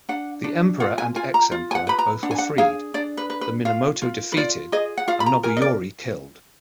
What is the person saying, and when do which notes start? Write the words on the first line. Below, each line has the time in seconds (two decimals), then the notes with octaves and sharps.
The emperor and ex-emperor both were freed, the Minamoto defeated, and Nobuyori killed.
0.09 D4 F#5
0.44 D4
0.80 F4 F#5
0.98 G#5
1.16 F4 G#5
1.34 A#5
1.52 F4
1.71 G#5
1.75 F#5
1.87 B4 B5
1.99 A#5
2.23 D4 F#5
2.31 G#5
2.38 F#5
2.58 G#4 F5
2.94 D4 D5
3.17 B4
3.30 B4
3.41 B4
3.65 F4 F5
4.02 F4
4.32 B4
4.37 F4 D5
4.72 G#4 D#5
4.98 F#5
5.08 F4 F5
5.20 B5
5.26 A#5
5.43 A#4 G#5
5.57 D#5
5.62 D5